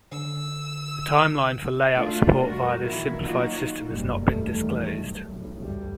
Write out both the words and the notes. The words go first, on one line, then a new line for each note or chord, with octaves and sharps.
The timeline for Layout support via this simplified system has not been disclosed.
D3 E6
A3 D4 F4 F#4
F2 G3 F#4 A#4
A#2 D#3 E3 A#3 E4
A#2 F#3 D#4 F4 F#4
F#1 B1 G#2 C3 G3
E2 D#3 G3 A3
B1
B1 A2
D2 G2 G3